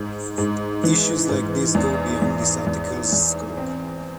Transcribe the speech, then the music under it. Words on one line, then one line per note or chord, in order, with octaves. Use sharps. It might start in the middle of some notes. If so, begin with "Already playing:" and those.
Issues like these go beyond this articles scope.
Already playing: G#2
G#2
E3
G#2
E2
E2
E2
E2
C4